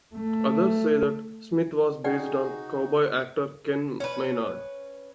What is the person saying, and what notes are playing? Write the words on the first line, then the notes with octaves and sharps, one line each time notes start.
Others say that Smith was based on cowboy actor Ken Maynard.
A3
D#4 F#4 G#4 D5 F#5 G5
C#4 B4